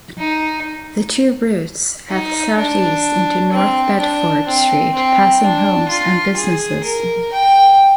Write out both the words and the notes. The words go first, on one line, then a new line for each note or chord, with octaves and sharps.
The two routes head southeast onto North Bedford Street, passing homes and businesses.
D#4
D#4
D4
C4
D4
C4
C4
D4
F4
G#4
A#4
G5